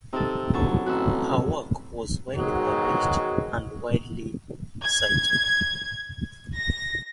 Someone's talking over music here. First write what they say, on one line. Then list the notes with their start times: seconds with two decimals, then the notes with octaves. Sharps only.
Her work was widely published and widely cited.
0.13 C3 D#4 A4
0.54 E1 F#2 C3 A4 C#6
0.86 A1 C4 F#4 E6
2.35 G#2 B2 D#3 F#3 G#3 F#4
4.84 G#6
6.55 A#6